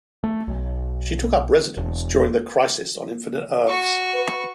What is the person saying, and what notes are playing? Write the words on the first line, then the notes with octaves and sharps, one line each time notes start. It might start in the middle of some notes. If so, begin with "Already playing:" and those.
She took up residence during the Crisis on Infinite Earths.
A3
B1
E1
F#4 C#6
B4